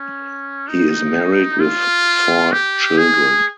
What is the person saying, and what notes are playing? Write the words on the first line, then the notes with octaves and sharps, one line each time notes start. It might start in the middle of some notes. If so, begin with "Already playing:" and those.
He is married with four children.
Already playing: C#4
D#4
F4
G4
G#4